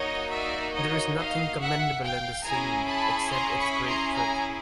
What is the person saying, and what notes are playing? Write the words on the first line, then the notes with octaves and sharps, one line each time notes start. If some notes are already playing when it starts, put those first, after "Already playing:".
There is nothing commendable in this scene except its great truth.
Already playing: A#3 D#4 F#4 C#5 D#5
D5 E5
C#5 D#5
D#5 F5
E5 F#5
F5 G5
C#4 E4 G#4 G#5 A#5
A5 B5
A#5 C6
B5 C#6
A#5 C6
G#5 A#5